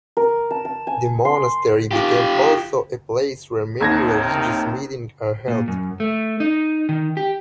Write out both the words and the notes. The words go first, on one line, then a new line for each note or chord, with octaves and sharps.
The monastery became also a place where many religious meeting are held.
A#4
A5
A5
G#5
C6
F4 G4
D#2 A2 C3 D#3 G#6 A#6
A#2
F#2
A3
D#4
D#3
G4